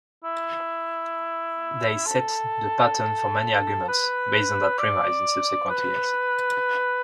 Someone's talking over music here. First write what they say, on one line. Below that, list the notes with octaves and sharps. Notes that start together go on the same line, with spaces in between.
They set the pattern for many arguments based on that premise in subsequent years.
E4
A4
B4
D5
B4